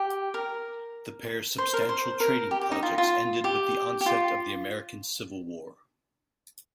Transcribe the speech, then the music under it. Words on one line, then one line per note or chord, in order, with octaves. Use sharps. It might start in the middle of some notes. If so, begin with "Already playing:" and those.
The pair's substantial trading projects ended with the onset of the American Civil War.
Already playing: G4
A#4
C5
A#4
C5
A#4
G4
G4
D#4
F4
F4
G4
G4
F4